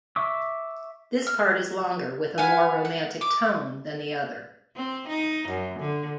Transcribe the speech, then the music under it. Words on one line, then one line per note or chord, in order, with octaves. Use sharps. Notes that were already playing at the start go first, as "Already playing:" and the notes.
This part is longer with a more romantic tone than the other.
E5 C#6 D6 E6
F6
B4 F5 F#5 G#5
F#5
D6
C4
D#4
F#2
D3